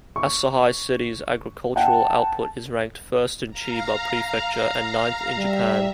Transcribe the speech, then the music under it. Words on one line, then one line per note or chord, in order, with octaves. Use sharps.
Asahi City's agricultural output is ranked first in Chiba Prefecture and ninth in Japan.
C#6
F#5 G5 A5
F5 A#5
G3 E5